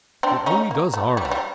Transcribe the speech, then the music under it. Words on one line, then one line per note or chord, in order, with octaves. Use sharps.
It only does harm.
C4 D4
C#4 D#4
A#3
A3
G3
F#3
G3